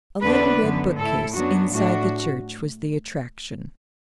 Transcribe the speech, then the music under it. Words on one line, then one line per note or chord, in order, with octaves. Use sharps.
A little red bookcase inside the church was the attraction.
E2 D3 B3 D4 B4
F#2 D3 B3
A2 A3 E4 A4
F#2 F#3 B3 D4 F#4
A2 A3 D4 F#4